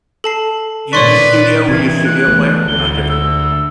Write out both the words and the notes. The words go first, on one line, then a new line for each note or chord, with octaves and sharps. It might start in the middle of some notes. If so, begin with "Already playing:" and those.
Do you do studio? Were you a studio player on different
A4 A5 C7
A#2 B4 C#5 D5 C6 C#6
C3 E3 G#6
F#6
E3 A3 B3
D2 G7
E6